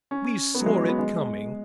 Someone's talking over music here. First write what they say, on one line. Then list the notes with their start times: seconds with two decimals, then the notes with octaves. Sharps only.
We saw it coming!
0.11 C#4
0.55 B3
0.61 F#3
0.66 G#3
0.77 F#3
0.89 B3
0.99 G#3